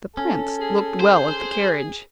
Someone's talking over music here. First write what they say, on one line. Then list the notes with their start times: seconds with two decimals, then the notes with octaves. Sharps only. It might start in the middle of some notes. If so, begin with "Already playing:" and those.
The prince looked well at the carriage.
0.17 C#4 A4
0.61 G#4
1.00 C5